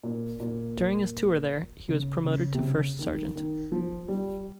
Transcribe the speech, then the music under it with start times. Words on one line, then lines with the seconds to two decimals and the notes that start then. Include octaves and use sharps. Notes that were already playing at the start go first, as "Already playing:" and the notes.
During his tour there, he was promoted to first sergeant.
0.03 A#2
0.40 A#2
1.88 C#3
2.25 C#3
2.54 C3
2.62 C#3
2.99 D#3
3.35 D#3
3.72 F3
4.08 G3